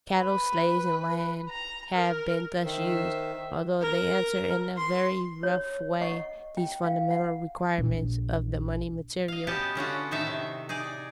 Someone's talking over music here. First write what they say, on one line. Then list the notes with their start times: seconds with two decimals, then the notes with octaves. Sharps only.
Cattle, slaves, and land have been thus used, although they answer in a very rough way these fundamental requirements of the money material.
0.19 B4
1.50 A#5
1.94 A#4
2.64 D#3 C5 E5
3.82 A#4
4.77 C6
5.43 C#5
6.01 D#5 F#5 C#6
6.57 G5
6.84 F5
7.10 F#5
7.78 A#1
9.28 D#5 F5
9.47 B3 C#4 F#4 G4 D#5 A5
9.75 D3 C#4 F4 F#4
10.11 A2 D#3 D#4 A4 E5 A5
10.27 C3
10.69 D#4 G#4 D5